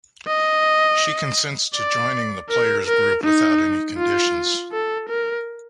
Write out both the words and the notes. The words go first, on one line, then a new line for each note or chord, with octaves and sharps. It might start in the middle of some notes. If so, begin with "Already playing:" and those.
She consents to joining the player's group without any conditions.
D#5
D5
A#4
A#4
D#4
F4
A4
A#4